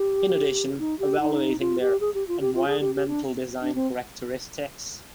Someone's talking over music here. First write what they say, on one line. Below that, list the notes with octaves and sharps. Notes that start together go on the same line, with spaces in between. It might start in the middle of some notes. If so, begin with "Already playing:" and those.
In addition, evaluating their environmental design characteristics.
Already playing: G4
D#4
G4
D#4
F4
G4
G#4
G4
F4
G4
F4
G#4
G4
G4
D4
D4
C4